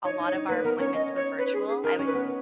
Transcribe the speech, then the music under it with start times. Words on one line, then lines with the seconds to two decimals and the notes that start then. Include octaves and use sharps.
a lot of our appointments were virtual, I would
0.05 D#4 C#5
0.20 D#4
0.27 C#5
0.33 D#4
0.48 A#3 B4
0.64 B3 A#4
0.79 C#4 C#5
0.94 D#4 D#5
1.16 C#5
1.38 B4
1.53 G#4
1.68 G#4
1.84 D#4 A#4
1.99 C#4
2.06 B4
2.14 B3